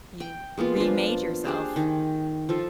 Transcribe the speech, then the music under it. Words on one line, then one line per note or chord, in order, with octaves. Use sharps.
You remade yourself.
G5
G#3 A#3 B3 F4
F3 D4
D4 G4 G#4 C5
D#3
F3 F4 A4